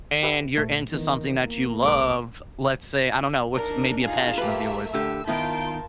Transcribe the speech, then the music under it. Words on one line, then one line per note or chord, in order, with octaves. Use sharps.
and you're into something that you love, let's say, I don't know, what's maybe a passion of yours?
G4 B4 E5
A#2 A3
D#3 E3 B3
A#3
B1 G#3 A4 B4 D6
D4 D#4 A#4
D4 D#4 F4 G#4
A3 A#3 G4 B4 E5
A2 D3 G4 E6
D#3 B3 E4 F4 A#4 A5 G6 D7